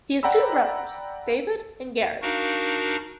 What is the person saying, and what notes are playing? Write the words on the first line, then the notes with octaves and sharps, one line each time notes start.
He has two brothers, David and Gary.
D5 F#5 G5 A#5 B5 E6
D4 D#4 F#4 A#4 F5